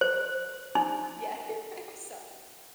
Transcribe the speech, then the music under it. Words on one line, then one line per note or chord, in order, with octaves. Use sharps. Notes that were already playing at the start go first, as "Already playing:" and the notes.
Yeah, you're right, I'm sorry.
C5
D#4